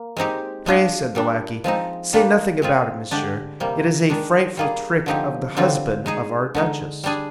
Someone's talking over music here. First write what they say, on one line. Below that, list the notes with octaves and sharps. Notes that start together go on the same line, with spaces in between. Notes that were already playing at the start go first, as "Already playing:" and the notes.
"Pray," said the lackey, "say nothing about it, monsieur; it is a frightful trick of the husband of our duchess!"
Already playing: A#3
G#3 C4 D#4 G4
G#3 D4 F4 G#4
A#2 G3 D4
F3 G#3 C4 D#4
G3 A#3 D4 F4
G#3 C4 F4 G#4
D3 G#3 D4 G4
C3 G3 A#3
D#3 G#3 D4
G3 A#3 F4 G#4
D3 F3 C4 D#4 G4
D3 G3 C4 F4
G#3 D#4 G#4
D3 G#3 D#4
G3 D4 G#4